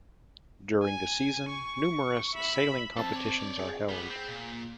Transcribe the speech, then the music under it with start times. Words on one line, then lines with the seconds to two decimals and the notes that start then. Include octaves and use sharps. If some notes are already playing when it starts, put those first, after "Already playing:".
During the season numerous sailing competitions are held.
0.83 G#5
1.49 C#6
2.35 E5 B5
2.98 F2 C4 A4 A5
3.13 C#5 D5
3.59 G#4
3.89 G3 B3
4.10 C4
4.28 A#2